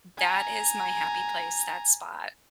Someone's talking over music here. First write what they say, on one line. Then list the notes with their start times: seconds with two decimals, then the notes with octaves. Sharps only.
that is my happy place, that spot.
0.17 G#5 A#5